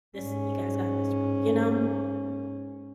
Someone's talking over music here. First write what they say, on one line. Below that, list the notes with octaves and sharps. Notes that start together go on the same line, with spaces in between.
This You guys got this wrong, you know?
G#2 C#4